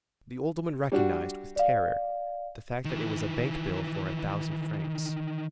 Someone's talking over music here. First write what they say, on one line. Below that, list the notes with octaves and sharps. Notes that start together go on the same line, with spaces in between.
The old woman recognized, with terror, the fact that it was a bank-bill for a thousand francs.
G3 D4 F#4
D5 F5
D#3 E3